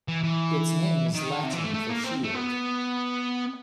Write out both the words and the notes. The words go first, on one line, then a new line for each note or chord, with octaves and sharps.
Its name is Latin for shield.
E3
E3
D#3
C3
E3
A3
A3
A#3
C4
A3
B3